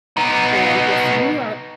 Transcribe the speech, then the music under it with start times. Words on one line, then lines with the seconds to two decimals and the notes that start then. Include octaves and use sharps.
and if you are
0.17 B3 D#4